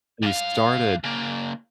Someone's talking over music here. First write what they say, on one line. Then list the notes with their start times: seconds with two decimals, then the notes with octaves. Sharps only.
she started
0.22 G2 F5
1.04 C#3 A#3